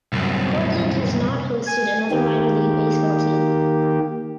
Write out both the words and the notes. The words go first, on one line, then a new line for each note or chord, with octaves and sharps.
Cortland has not hosted another minor league baseball team.
C2 F#2
G#5
D#3 A#3 G4